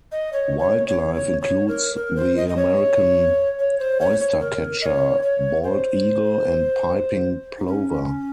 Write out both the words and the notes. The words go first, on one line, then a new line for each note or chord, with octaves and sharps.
Wildlife includes the American oystercatcher, bald eagle and piping plover.
D#5
C#5
C#5
C#5
C#5
C#5
A#4
A#4
C5
D#5
D#5
C#5
C#5
C5
C#5
C#5
A#4
D#5
C#5
C#5
C5
D#4
C#4